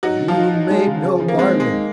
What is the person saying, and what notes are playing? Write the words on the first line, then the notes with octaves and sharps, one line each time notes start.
"You made no bargain."
F#3 D#4 F#4
D#3
F3 F4
D#4
D#4
G#3
C#3
C#3
F3
A#3
G#3 C4
D#3
G#3
D#4